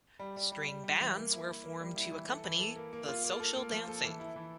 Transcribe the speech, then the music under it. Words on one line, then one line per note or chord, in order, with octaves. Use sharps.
String bands were formed to accompany the social dancing.
G3
G3
G3
G3
G3
E3
A#3
E4
E4
A#3
G3
E4
E3
A4
E3
A4
A#3
A#3
F4
A#3
A4
A#3
F3
A4
E3
E4
E3